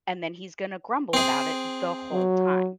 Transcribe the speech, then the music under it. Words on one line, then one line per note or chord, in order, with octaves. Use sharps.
and then he's gonna grumble about it the whole time.
C4 G#4
F#3